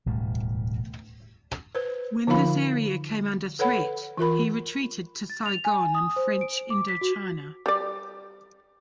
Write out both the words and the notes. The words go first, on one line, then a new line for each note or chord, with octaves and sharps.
When this area came under threat, he retreated to Saigon in French Indochina.
E1 D2 A2 G3
B4 C5
D3 F3 D#4 F4 F5 B5
A4 B4 C#5 F#5 B5
E3 F4 A#4 B5
A6
F7
G#5
D#6
C5
D7
D6
B6
F#4
G3 D5